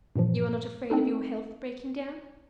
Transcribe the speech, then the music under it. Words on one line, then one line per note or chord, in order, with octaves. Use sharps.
"You are not afraid of your health breaking down?"
G2 A#2 E3 F3
C4 D4 D#4 A4